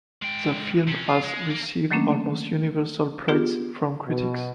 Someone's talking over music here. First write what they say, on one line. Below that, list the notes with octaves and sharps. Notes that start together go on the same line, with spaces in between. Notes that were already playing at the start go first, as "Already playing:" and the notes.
The film has received almost universal praise from critics.
G#3 G5
C3 C#4
F4
G#3
A#3
D#3 F#3 A3 A#3 C#4 D4
B3 D4 F4 G4 G#4
B2